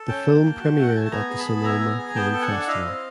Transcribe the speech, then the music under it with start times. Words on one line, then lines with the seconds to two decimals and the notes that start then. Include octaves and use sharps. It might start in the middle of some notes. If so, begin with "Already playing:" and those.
The film premiered at the Sonoma Film Festival.
Already playing: A4
0.08 C#4 G5 A5
0.26 A#3
0.43 A#3
0.60 F#4
0.77 A3
0.82 F#5
0.89 G5
0.94 A3 G#5
1.05 A5
1.11 B3 G#5 A#5
1.30 G#4
1.39 A5 B5
1.47 B3
1.63 E4 G#5 A#5
1.81 B3
1.98 G#4
2.15 B3 G5 A5
2.34 A4
2.42 F#5 G#5
2.51 D4
2.59 F#5
2.67 E4 D#5 F5
2.85 C4